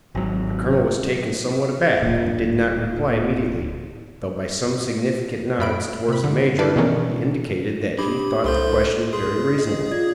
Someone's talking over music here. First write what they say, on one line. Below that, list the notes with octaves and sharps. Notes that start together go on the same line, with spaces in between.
The colonel was taken somewhat aback, and did not reply immediately, though by some significant nods towards the major, he indicated that he thought the question very reasonable.
G#1 F#3
D1 A#2
F#2 A3 B5 D7
C3 B5
D3
D4 E4 A4 B4 D5
B2 D#3 E3 B3 C#4 A#4
D4 G4 B5 D6
C2 A4 C5 C6 G6
G#4 C6
D#5
F4 D5 G#6